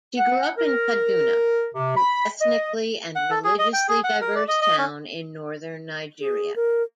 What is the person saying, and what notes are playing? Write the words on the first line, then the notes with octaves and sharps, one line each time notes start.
She grew up in Kaduna, an ethnically and religiously diverse town in northern Nigeria.
F#5
A#4
C3
B5
D#5
F#5
A4
G#4
D#5
G5
G#4
F#5
A#4
D5
D#5
D#5
C#4
G#4
A#4